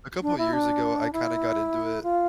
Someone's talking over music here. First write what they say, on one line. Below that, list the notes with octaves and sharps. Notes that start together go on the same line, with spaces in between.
a couple years ago, I kinda got into it
D4
E4
D4
E4
F4